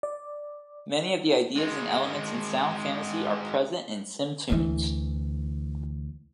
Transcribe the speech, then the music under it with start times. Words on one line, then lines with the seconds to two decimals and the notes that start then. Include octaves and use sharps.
Many of the ideas and elements in "Sound Fantasy" are present in "SimTunes".
0.03 D5
1.56 G#3 C4
4.49 D2 E3